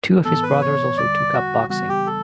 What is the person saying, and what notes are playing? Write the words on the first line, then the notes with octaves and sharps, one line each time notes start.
Two of his brothers also took up boxing.
A2 E3 B3 A4
B4
C#5
E2 D3 G3 D5
F#4
C#3 E3 G3 B3 F#4
G4
A4